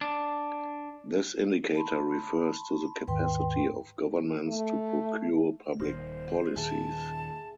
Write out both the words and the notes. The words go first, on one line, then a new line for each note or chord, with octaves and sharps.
This indicator refers to the capacity of governments to procure public policies.
D4
A5 B5 C6
D#2 G#2 D#3 B4 G5 C6
A3
D#1 D#3 A#3 C5
D#2 A#2 D#3 G#4 E5 G#5 A5